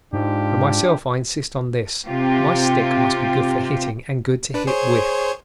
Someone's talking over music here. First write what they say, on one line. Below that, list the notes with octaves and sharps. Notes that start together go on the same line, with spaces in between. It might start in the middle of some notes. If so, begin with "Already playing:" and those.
For myself I insist on this--my stick must be good for hitting and good to hit with.
G#2 D4 F4 G4
C3 C4 F4 G4
D4 B4
G#4 C5 C#5